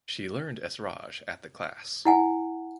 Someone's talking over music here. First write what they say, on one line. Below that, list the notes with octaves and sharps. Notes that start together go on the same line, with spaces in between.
She learned esraj at the class.
E4 F#5 G#5